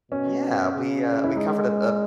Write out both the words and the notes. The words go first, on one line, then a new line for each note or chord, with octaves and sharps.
Yeah, we, uh, we covered a a,
B2 C#4
C#3
E4
G#3 D#4